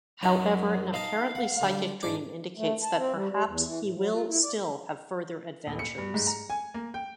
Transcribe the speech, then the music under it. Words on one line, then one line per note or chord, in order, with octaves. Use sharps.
However an apparently psychic dream indicates that perhaps he will still have further adventures.
F#2 D#4 F#4 A#5
D#4 D#5 F5 A5
F#5
D3 G3
G#2 D4 D6
A3
A5
C4
G3
G3
E2
E3
A2
F#3
F4
E4
D5
D#1
C#7
G2
G#2
A#5
G#5
A#3
G5